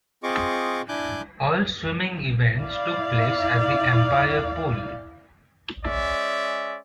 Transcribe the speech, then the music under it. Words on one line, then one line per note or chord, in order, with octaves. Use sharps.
All swimming events took place at the Empire Pool.
C4 F4 G#4 D#5 C#6 D6
D4 E4 G#5 D6 F#6 G6
E4 D5 F5
G#3 C#4 D5 E5